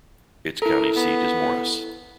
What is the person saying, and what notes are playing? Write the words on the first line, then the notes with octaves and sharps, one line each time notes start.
Its county seat is Morris.
E4 A4 A#4
B3